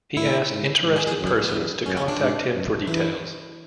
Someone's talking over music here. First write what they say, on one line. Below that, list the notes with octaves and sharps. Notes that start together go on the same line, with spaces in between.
He asked interested persons to contact him for details.
A2 E4
G#2
G#2
G#4
G#4
F#2
F#3
B3
E2
F#2 C#4
C#4
D4
G#2
F#2
E3 E4